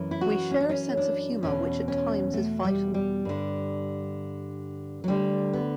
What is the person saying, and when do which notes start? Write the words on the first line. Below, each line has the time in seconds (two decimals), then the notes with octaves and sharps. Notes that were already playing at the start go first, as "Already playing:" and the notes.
We share a sense of humour which at times is vital.
Already playing: F#2 E3
0.11 E4
0.21 F#4
0.51 C#4
0.61 D4
0.69 C#4
0.97 D4
1.43 E2 B2 C#4
1.88 C#4
2.34 A3
2.65 G3
2.94 G3
3.25 G2 D3
5.04 F#3
5.08 D2 D3 G3
5.53 B3